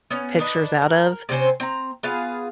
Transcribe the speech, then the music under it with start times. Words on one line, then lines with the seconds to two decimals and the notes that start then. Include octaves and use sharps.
pictures out of.
0.11 B3 C#4
0.39 D4 D#4 B4
0.82 A#4
1.29 C3 C4 C#4 C5
1.60 C4 A#5
2.03 B3 F4 G#4 F5